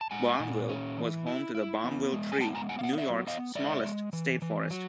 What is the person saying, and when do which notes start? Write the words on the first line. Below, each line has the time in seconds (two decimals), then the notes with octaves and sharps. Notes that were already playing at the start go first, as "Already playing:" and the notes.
Balmville was home to the Balmville Tree, New York's smallest state forest.
0.01 A5
0.11 G#3 F#5 G#5
0.39 A#2
0.69 C#4
0.97 E3
1.26 E4
1.55 E4
1.84 B3
2.12 G#3
2.32 G#5
2.40 B3 G5 A5
2.55 G#5 A#5
2.69 B3 F#5 G#5
2.79 F5
2.83 E5 F#5
2.93 F5
2.98 F#3 D5 E5
3.27 B3 D#5 F5
3.55 G#3 D5 E5
3.84 G#3
4.13 E3
4.42 E3
4.71 F#3